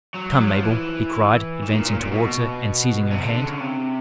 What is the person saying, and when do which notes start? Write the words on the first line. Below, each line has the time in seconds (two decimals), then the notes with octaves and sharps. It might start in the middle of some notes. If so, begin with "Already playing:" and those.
"Come, Mabel!" he cried, advancing towards her, and seizing her hand.
0.14 F#3
0.30 F#3
0.48 F3
0.63 E3
1.62 D#3
1.74 A#2
1.88 A#2
2.00 A#2
2.11 B2
3.11 C3
3.23 D3
3.34 D3
3.47 C#3
3.60 C3